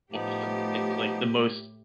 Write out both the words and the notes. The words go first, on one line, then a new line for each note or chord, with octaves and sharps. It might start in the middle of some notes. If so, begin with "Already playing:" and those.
awesome. It's, like, the most
A2 F3 B3 D#4 G4